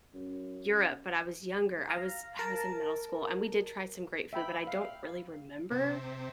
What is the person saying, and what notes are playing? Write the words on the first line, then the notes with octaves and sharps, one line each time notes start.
Europe, but I was younger. I was I was in middle school, and we did try some great food, but I don't really remember,
F#2
F5 A#5
A#4 A5
E5 G5 B5
F5
C3